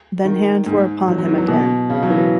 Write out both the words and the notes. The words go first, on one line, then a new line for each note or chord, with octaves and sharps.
Then hands were upon him again.
D#3
G#2
F#3
F#3
E3
F#3
B2
C#3
F#3
E3